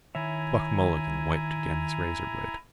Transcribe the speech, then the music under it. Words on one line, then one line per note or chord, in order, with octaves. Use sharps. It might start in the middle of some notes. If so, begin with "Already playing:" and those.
Buck Mulligan wiped again his razorblade.
D#3 E4 C#5 E5 G#5 A#5